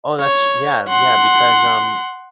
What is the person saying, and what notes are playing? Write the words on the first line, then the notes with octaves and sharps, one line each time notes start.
Oh, that's Yeah, yeah, because, um,
C#5
F#5 C6